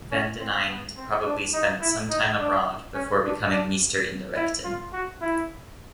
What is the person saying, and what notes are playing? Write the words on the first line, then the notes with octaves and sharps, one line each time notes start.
Van den Eynde probably spent some time abroad before becoming "meester in de rechten".
C#4
C4
B3
C4
D4
D#4
E4
D#4
D4
C#4
D4
D4
E4
F4
F#4
E4